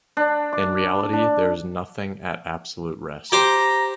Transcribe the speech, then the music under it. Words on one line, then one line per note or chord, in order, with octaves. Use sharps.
In reality, there is nothing at absolute rest.
D4
D6
D4
G4 C5 A#5